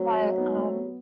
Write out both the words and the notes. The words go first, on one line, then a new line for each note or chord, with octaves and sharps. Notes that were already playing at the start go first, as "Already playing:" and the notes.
but, um,
Already playing: F#3 A3 C4
B3 D#4
A3 C4
B3